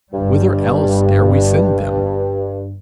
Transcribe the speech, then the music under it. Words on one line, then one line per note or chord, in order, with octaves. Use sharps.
Whither else dare we send them?
G1 G2 G3